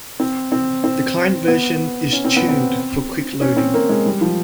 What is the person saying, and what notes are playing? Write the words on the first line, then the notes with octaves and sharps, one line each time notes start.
The Client version is tuned for quick loading.
C4
C4
C4
B3
C#4
C4
B3
C4
C#4
C4
A#3
G#3
G3
F3